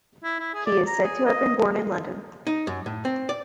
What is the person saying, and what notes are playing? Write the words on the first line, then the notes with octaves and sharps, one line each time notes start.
He is said to have been born in London.
E4
E4
G#4
D5
A#5
G#4
D#5
D#4
F#2
A2
C4
D5